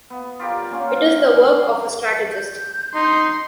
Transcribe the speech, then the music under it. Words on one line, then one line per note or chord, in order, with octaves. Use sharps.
It is the work of a strategist.
B3
F4 G4 A#4 D5
A#3 C#4 F4 F#4
G#3
G6
D#4 C6